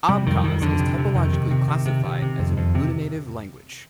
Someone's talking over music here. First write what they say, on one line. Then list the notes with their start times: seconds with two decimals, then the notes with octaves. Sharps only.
Abkhaz is typologically classified as an agglutinative language.
0.09 C3 G3
0.27 F2 D#3
0.44 F2 D#3
0.62 F2 D3
0.79 C3
0.98 C3
1.15 F2 D#3
1.33 C3
1.51 C3
1.68 C3
1.86 C3
2.04 C3
2.22 C3
2.39 F2
2.57 F2
2.75 C3